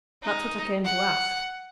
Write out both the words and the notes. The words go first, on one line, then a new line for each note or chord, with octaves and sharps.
That's what I came to ask.'
D#4
F#5